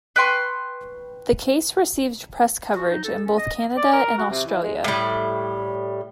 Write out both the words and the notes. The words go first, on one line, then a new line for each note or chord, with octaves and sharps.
The case received press coverage in both Canada and Australia.
B4 G5 C6 C#6
F#4
D#4
A4
C#4
D#5
D5
A#4
F#4
C3
E3
G#3
A2 G3